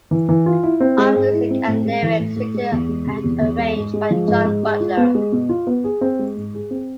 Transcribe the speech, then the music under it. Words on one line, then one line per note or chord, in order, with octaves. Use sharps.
All music and lyrics written and arranged by John Butler.
E3
E3
F4
E4
C4
G#3
G#2
E4
C4
A2
G#3
E3
A2
A2
G#3
E2
G#3
C3
E2
E2
G#3
G#2
G#3
F3
G#2
G#2
G#3
F4
B3
G#3
B2
F4
B3
G#4
C4
G#3
G#2
G#4
C4